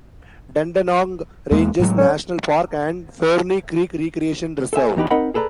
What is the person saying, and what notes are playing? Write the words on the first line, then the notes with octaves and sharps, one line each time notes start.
Dandenong Ranges National Park and Ferny Creek Recreation Reserve.
E2 G#3 A#3
A2 F#3 G#3
C#4
A4 C5 E5 G#5
E2 E3 D#4 G4 B4
C4 D#4 A#4 D#5 F#5 B5
G#4 A4 B4 D5 A#5